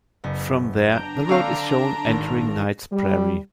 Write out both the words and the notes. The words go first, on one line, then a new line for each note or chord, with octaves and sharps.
From there, the road is shown entering Knight's Prairie.
F#1 B3
D4 G5 A#5 G6 D7
D3 C4 F5
G#1
G3